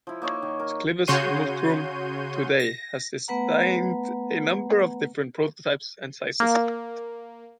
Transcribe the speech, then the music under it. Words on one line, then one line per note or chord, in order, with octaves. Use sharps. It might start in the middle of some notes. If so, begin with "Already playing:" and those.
Clivus Multrum today has designed a number of different prototypes and sizes.
F3 E4
A#3 D#4 C#5 C#6
D#3
A#4
C#3 F#4 C#5 C6 G6 D#7
A#6
A3 B3 B4 F#5 A#5
A#3